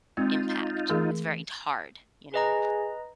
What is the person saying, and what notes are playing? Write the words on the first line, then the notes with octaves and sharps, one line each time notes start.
impact, it's very d hard, you know?
G#3 C4 D#4 F4
E3 A3 G#4
G#4 B4 D#5 A#5